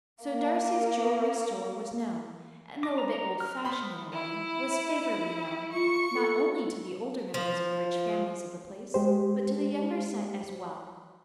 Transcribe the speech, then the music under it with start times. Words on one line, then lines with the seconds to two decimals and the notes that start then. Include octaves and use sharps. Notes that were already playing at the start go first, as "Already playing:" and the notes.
So Darcy's jewelry store was known, and though a bit old-fashioned in a way, was favorably known, not only to the older members of the rich families of the place, but to the younger set as well.
0.25 A#3 A#4
2.83 D6 A#6
2.98 A#5
3.15 A#5
3.40 F6
3.65 B3 C5 B5 C6
4.12 E4
5.73 F4 C#6
6.14 A4
7.34 F3
8.94 G#3 G4 C5